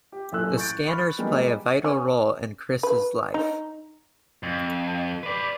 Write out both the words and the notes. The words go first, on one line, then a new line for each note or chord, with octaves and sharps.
The scanners play a vital role in Chris' life.
G4
A1 F#2 A#2 A4 E6 F#6
C#6 G6 A6 D7
B5 C#6 F6
F3 G3 G#3 A#3 B3
C#4
B4
D#4
F2
B4 D5